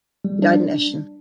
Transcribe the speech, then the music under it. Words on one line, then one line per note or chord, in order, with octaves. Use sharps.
He died in Eschen.
G3
D4